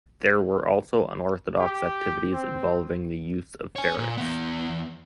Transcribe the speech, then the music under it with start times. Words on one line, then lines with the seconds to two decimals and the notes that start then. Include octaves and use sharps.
There were also unorthodox activities involving the use of ferrets.
1.59 G4
2.33 C4
3.76 C#5 G#5
3.98 A#2
4.17 E2 B3